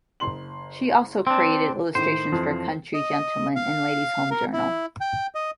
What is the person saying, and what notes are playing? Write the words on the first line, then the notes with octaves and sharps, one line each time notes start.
She also created illustrations for "Country Gentleman" and "Ladies' Home Journal".
F#1 C6 F#7
C4 D4
A2 D#3 C5
F2 E3 F3
D#5
F5
A#4
E4
G5
D#5